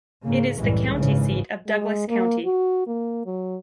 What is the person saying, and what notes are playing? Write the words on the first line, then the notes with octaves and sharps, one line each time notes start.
It is the county seat of Douglas County.
G#2 C#3 A#3
C2 F#2 A2 E3 G3 G#3
G#1 C#3 E3
G#3
A#3
F#4
A#3
F#3